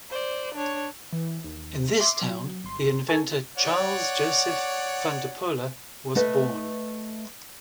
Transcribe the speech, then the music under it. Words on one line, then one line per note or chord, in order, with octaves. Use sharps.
In this town the inventor Charles Joseph Van Depoele was born.
C5 D5
D4 C#5
E3
D#2
E5 C6 D6
F#3
G1 C6
A4 G#5 A5 C#6 G#6
C#5 D5 F#5
A3 B4 D#5 E5